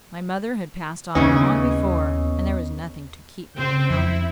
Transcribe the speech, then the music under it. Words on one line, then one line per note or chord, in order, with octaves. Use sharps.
My mother had passed on long before, and there was nothing to keep me at home.
D#2 C#3 E3 B3 C#4 D#5
C#3 C4 C5 G5
F2 E4